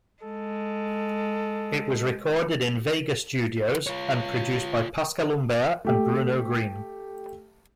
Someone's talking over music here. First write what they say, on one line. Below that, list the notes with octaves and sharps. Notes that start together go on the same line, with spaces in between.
It was recorded in Vega Studios and produced by Pascal Humbert and Bruno Green.
G#3 A4
F4 C#5
A3 G4